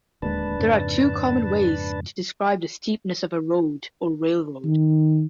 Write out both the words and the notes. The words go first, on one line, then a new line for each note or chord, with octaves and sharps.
There are two common ways to describe the steepness of a road or railroad.
D1 D#2 G#3 D4 B4 A5
F2 G#2 C#3
D#3